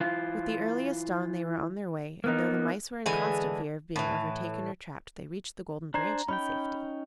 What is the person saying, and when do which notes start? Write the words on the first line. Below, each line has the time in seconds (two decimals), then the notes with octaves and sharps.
With the earliest dawn they were on their way, and though the Mice were in constant fear of being overtaken or trapped, they reached the Golden Branch in safety.
0.01 E3 F4
2.24 A#3 B3 D#4
3.06 D3 E3 G#3 G#5
3.96 A2 E3
5.94 D4 C5 G#5 A#5
6.28 C#4 D#4 G5 B5